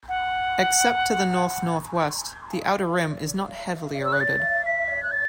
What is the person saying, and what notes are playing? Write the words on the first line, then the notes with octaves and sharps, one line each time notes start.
Except to the north-northwest, the outer rim is not heavily eroded.
F#5
E6
F#6
A6
B6
F#6
A6